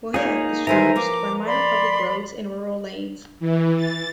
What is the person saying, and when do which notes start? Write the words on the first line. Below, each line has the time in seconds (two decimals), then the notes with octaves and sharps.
Moher is traversed by minor public roads and rural lanes.
0.14 A#3 D#4 F4 G#4 C#5
0.67 D#3 E3 G3 C5 E5 G#5 A#5
0.96 F3 A#3 D6
1.46 D5 B5 C6
3.40 E3
3.77 A6